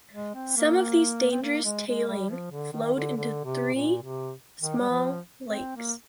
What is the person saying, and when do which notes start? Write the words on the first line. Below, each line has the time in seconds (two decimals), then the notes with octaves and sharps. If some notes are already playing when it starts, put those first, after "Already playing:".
Some of these dangerous tailing flowed into three small lakes.
0.13 G#3
0.34 C4
0.56 A#3
1.32 C4
1.42 A#3
1.64 G#3
1.86 G#3
2.07 G3
2.29 F3
2.51 D3
2.73 D#3
2.94 D3
3.16 D3
3.45 C3
3.74 A#2
4.03 C3
4.61 D#3
4.79 G3
4.89 F3
5.47 C4
5.76 A#3